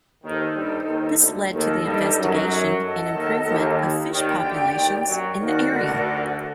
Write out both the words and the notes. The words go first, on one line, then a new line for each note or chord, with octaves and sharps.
This led to the investigation and improvement of fish populations in the area.
D#2 D#3 D#4 A4 C5
G2 G3
D#2 D#3
D2 D3
D#2 D#3 D#4 A4 D#5
G2 G3
F#2 F#3
A4 D#5 F#5
D#2 D#3
D#2 D#3
D#2 D#3 G4 D5 G5
D2 D3
D#2 D#3
F#2 F#3
D#2 D#3 F#4 A#4 D5 F#5
D2 D3